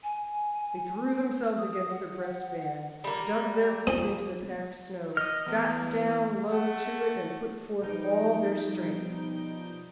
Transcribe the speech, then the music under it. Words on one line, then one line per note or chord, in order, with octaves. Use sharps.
They threw themselves against the breast-bands, dug their feet into the packed snow, got down low to it, and put forth all their strength.
G#5
D#6
F#5
G3 A#3
F3 G#5 D#6
D#5 D#6 F6
E3 B3 B4
A3 F#5
B2 F3 G3 D#4 G6 D7